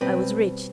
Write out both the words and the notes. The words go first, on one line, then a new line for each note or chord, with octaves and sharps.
I was rich.
B2 G3 C4 B4